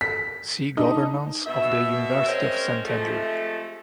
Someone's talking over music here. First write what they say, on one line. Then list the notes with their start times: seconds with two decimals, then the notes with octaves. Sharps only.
"See Governance of the University of Saint Andrews".
0.01 B6
0.77 D4 D#4
1.46 B2 E5
2.26 G#3 C4 C#4 A#4 C5 C#5
2.84 C3 F3 G#3 A3